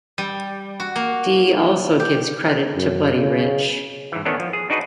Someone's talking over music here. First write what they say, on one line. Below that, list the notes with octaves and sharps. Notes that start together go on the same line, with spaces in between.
Dee also gives credit to Buddy Rich.
G3
F#4
A#3
G4
F#2
C#3
G#2 E3
D#3 B3 C#4 D4 A4
F3
G#4
D4 D#4 F#4 G#4 B4